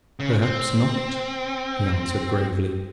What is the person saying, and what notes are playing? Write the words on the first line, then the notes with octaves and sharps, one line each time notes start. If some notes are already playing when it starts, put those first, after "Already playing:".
"Perhaps not," he answered gravely.
C#3
C4